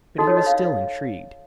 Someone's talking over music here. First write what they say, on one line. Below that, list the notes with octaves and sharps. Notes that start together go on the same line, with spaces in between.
But he was still intrigued.
D#4 F#4 A4 D#5
C#5
D#5
F5